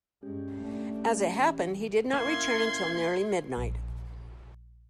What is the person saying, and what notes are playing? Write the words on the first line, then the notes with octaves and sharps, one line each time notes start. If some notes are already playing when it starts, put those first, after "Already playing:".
As it happened, he did not return until nearly midnight.
G2 G#3 C#4 G4
A3 D4
E3
A#3 C#4 E4 C6 G#6
A#1